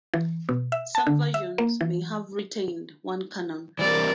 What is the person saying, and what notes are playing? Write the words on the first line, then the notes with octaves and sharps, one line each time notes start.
Some versions may have retained one cannon.
E3
B2
E5
A5
D3
E5
A#3
E3
E3 G3 C4 A#4 D5